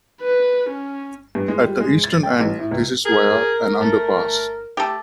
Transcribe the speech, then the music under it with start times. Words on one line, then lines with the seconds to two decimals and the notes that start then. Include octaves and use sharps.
At the eastern end this is via an underpass.
0.21 B4
0.69 C#4
1.35 G2
1.48 G#3
1.64 G3
1.80 G#3
2.04 A6
2.23 G5
2.39 A1
2.59 A2
2.71 C#2
3.05 G#4 A#4
3.81 A3
4.77 A3 G4 A4